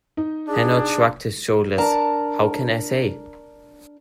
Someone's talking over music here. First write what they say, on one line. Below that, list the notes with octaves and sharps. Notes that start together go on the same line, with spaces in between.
Hanaud shrugged his shoulders: "How can I say?"
D#4
D4 G#4
D4 A#4 A5 A#5